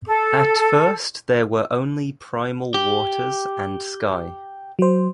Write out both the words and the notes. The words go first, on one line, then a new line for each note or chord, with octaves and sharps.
At first there were only primal waters and Sky.
A4
G4
F#3 C5